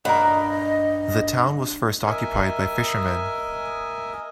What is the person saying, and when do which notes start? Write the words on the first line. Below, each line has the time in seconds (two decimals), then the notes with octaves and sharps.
The town was first occupied by fishermen.
0.05 G2 A#4 D#5 F#5
2.06 A#4 D#5 E5 G#5